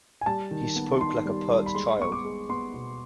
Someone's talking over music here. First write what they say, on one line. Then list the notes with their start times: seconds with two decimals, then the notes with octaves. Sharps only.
He spoke like a pert child.
0.21 G#5
0.26 G3 A5
0.51 D#3
0.76 B3
1.01 D#3 C6
1.26 G3
1.50 G3
1.66 B5
1.75 G#3 C6
1.99 B3 C#6
2.12 D6
2.25 G#3
2.49 B3 C6
2.74 B2